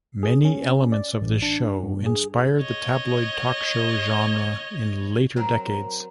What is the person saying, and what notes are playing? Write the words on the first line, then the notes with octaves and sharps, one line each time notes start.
Many elements of this show inspired the tabloid talk show genre in later decades.
G#4
C#4
D5
A1
D4
G2
G#4
C#5 D#5
F#3 C4 A#4